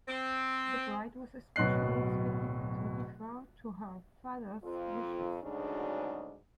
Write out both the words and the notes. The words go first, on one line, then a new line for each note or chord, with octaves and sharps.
The bride was especially expected to defer to her father's wishes.
C4
D1 B2 F#3 D#5 F#6 C7
F2 F4
D2 G#2 C#3 F#3 D4 D#4